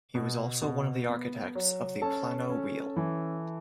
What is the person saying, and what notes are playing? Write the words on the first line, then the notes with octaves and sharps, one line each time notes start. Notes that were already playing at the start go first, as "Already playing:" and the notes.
He was also one of the architects of the Plano Real.
B2
B2
B3
F#3
C#4 A4 A5
C#4
E3